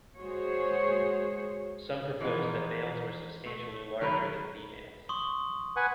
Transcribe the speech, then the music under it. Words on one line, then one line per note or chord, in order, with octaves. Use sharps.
Some propose that males were substantially larger than females.
G#3 F#4 G#4 C5 C#5
E3 F3 G#3 B3 D#4
A3
D#3 F#3 A#4 B4
C6 C#6 D#6
B4 F#5 G#5